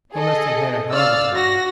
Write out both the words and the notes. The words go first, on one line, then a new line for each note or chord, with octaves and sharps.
He must have had a hell of a time.
G#4 A4 D#5
D5 F5 E6 F6 A6
F#4 A#6